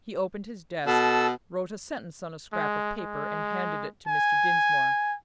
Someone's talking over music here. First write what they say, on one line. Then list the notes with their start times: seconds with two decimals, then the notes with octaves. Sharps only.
He opened his desk, wrote a sentence on a scrap of paper, and handed it to Mr. Dinsmore.
0.87 B2 A4 E6
2.53 G#3
2.99 G#3
4.08 G#5